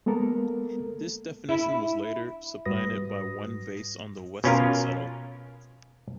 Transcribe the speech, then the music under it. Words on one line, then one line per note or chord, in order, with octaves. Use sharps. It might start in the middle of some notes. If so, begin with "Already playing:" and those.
This definition was later supplanted by one based on the Weston cell.
G#3 A#3 B3 A4 A#4
E4
G#2 G3 F#4 B4 D#6 A#6
B2 C#4 F4 A#4